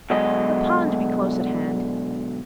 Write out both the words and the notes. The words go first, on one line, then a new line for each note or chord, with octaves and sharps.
The pond be close at hand.
B2 D3 F#3 G#3 D#5